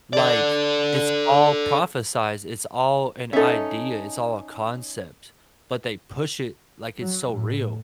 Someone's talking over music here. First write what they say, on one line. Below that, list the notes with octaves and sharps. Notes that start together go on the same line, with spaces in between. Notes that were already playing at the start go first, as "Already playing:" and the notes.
like, it's all prophesied. It's all an idea. It's all a concept. But they push it like it's so real.
A4 D5
C#4 D#4 A4 E5
F#3
A2